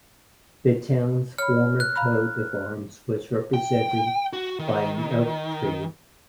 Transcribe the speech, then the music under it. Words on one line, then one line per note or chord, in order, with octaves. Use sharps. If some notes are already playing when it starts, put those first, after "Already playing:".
The town's former coat of arms was represented by an oak tree.
C#5 B5 F6
F#6
F5 A#5 B5
G5
F#4
D#3